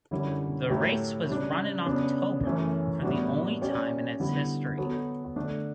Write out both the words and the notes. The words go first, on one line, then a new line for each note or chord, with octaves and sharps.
The race was run in October for the only time in its history.
F#2 D3 G3 C#4 E4
A2 F#3 A3 E4 G4
C#3 G3 D4
C#3 F#3 B3 D4
F#2 E3 A3 C#4
A2 G3 B3 D4 F#4
F#3 C#4 G4 D5
D3 G3 B3 E4
F#3 B3 F#4 A4
D3 A3 D4 A4